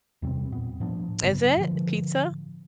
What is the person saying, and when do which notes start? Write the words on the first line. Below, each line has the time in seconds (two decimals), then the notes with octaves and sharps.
Is it, pizza?
0.22 E2 C3 G3 C4
0.52 A#2 B3
0.80 A2 F3 B3 D4
1.23 G2 C#3 F#3 B3
1.57 A2 D3 F3